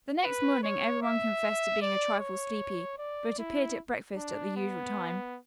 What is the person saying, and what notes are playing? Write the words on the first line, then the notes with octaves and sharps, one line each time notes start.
The next morning every one confessed to being a trifle sleepy, but appeared at breakfast at the usual time.
B4
C#5
E5
D5
C#5
D5
E4
D4
B3